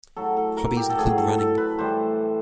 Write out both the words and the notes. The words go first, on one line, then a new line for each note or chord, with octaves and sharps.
Hobbies include running.
A2 F#3 A4
A4
A#4
G4
A4
A2 F#3 G#4
A4
A4
B4
A2 E3 G3 C5